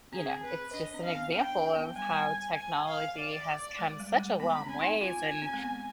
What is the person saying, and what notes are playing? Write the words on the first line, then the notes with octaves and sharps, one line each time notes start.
you know, it's just an example of how technology has come such a long ways and
C4 G#4
B4
D4 D#5
C4
F5
B3
D4 G5
B3
G3 G#5
G#5
F5
D5
G#3
G3
G#3
B3 B5
C4
G#5
D#4
F4 G#5
C4
G#3
B3